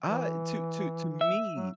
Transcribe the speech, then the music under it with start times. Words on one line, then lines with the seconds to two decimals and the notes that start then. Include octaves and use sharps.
Uh, i to to to me
0.02 E3
1.21 E5
1.55 F#3